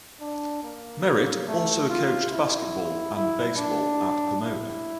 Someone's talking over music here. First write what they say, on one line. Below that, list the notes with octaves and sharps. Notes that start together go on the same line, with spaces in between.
Merritt also coached basketball and baseball at Pomona.
D4
A#3
A3
F4
E4
E4
D4
E4